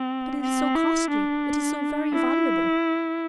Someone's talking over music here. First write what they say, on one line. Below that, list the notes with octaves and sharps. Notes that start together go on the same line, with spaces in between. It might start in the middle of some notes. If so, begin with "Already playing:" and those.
"But it is so costly--it is so very valuable."
Already playing: C4
C4
E4
D4
E4